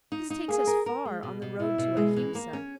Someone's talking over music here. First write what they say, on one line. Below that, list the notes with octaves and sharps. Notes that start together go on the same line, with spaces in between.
This takes us far on the road to Ahimsa.
D#4
D#4
A#3 G#4
A#4
A#4
G#3
B2
B2
B2 E4
B2
G#3
E3
A#3
C#4